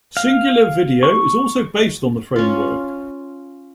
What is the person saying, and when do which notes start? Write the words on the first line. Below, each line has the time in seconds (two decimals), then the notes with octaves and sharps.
Cingular Video is also based on the framework.
0.17 F5
1.03 C#6
2.36 C#4 F4